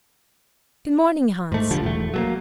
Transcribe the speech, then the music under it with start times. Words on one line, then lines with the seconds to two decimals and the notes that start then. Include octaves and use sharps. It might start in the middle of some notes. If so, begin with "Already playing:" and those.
'Good morning, Hans.
1.52 G#2 A3
1.71 B1 D3 F3 G3
1.83 E1 A3
2.14 F#3 A3 A#3